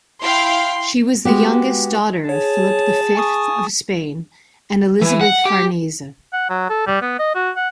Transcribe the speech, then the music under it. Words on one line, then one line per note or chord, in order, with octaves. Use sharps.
She was the youngest daughter of Philip the Fifth of Spain and Elisabeth Farnese.
E4 F5 G5 C6
G#3 B3 F#4 G4
G#4 C#5 A5
G#5 C#6 D#6
E3
F#5
G4
F#5
F#3
A4
G3
B3
D#5
F#4
F#5